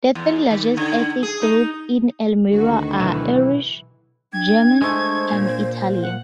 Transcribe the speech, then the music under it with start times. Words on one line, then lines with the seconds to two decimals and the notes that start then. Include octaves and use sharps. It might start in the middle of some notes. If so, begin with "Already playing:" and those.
The three largest ethnic groups in Elmira are Irish, German and Italian.
0.15 E2
0.51 D#3
0.77 D3
1.23 G#4
1.42 D#4
2.52 D2 D#3 F#4
3.00 B1 E3
4.33 D4 G5 G#6
4.82 G#3 A3 C5
5.32 A#2
6.02 F#5